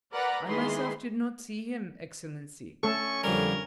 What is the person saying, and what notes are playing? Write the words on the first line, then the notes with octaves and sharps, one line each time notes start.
I myself did not see him, Excellency.
A#4 B4 D5 F#5 A#5 B5
D#3 E3 G#3 G#4 B5 C6
A3 C#4 A4 C#6
F2 D3 G3 A#4